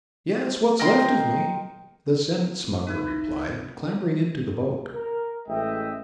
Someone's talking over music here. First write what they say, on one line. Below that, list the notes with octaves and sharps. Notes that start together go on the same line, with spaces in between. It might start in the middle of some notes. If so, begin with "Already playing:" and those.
"Yes, what's left of me," the sentenced smuggler replied, clambering into the boat.
A#4 D#5 G5 C6
D#4 E4 B4
A#4
A1 G#3 D#5 E5 G5